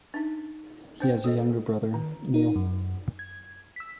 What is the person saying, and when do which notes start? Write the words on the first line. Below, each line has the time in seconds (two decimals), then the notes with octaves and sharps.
He has a younger brother, Neil.
0.14 D4 D#4
1.00 D4 C5 G5
1.24 A#3 A4 D#5
1.94 D#3
2.34 D#4 A#4
2.56 F#2
3.19 G#6
3.76 E6 B6